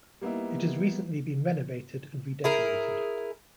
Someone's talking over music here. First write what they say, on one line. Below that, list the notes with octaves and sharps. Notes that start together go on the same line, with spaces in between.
It has recently been renovated and redecorated.
G3 A#3 B3 D#4 E4
E4 G#4 A#4